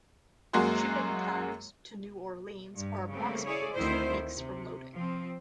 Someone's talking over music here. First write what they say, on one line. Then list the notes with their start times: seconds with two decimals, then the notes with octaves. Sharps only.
Shipping times to New Orleans are approximately two weeks from loading.
0.53 F#2 G#3 A#3 F#4 G#4 C6
2.76 G2
3.12 C#3 G3 A3 A#3 C4
3.45 E4 G#4 C#5 D5
3.74 D2 D#3 C4 E4 C5
4.35 C3
4.93 F3 C4